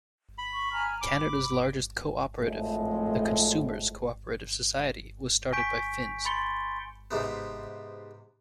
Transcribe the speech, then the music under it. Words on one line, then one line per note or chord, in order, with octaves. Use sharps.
Canada's largest co-operative, the Consumers' Co-operative Society, was started by Finns.
B5
C#6
G#5 A#5 F6
B5 D6
G#1 F2 A2 F3 G#3 A3
G#5 C#6 G6 B6 D7
B5 C6 A6 C#7 G7
G#2 C3 B3